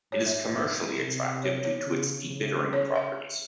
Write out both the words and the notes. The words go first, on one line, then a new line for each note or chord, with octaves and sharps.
It is commercially attractive due to its debittering properties.
G#2 C#5
E5
E5
C3
C#5
C#5
C#3
C#3
C#5
E5